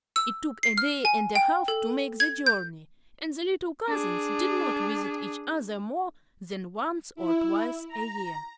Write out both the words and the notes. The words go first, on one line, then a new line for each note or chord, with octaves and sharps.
It took a day and a half to make the journey, and the little cousins did not visit each other more than once or twice a year.
E6
C7
F6
G#5
G5
A4
G#6
G6
D4 G#4
E4
A#5